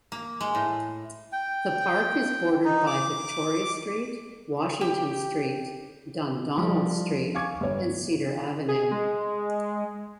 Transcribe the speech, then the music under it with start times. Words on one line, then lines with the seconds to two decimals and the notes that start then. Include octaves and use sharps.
The park is bordered by Victoria Street, Washington Street, Dundonald Street and Cedar Avenue.
0.12 A#3
0.41 G#3
0.55 A2
1.32 G5
2.65 D#4
2.87 D6
4.81 G4
6.58 F3 G3
7.35 F5 G#5 C#6 D6 G#6
7.60 G1 C#5
8.68 G#4
8.91 G#3